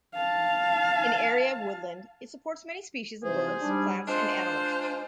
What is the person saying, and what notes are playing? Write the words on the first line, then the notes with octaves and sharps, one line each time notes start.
An area of woodland, it supports many species of birds, plants, and animals.
F5 A5
G#2 C3 E3 G#4 C5
G#2 G3 D4
G#3 D4 F4 C5